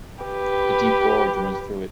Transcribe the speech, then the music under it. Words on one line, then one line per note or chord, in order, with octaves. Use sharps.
A deep gorge runs through it.
G4 B4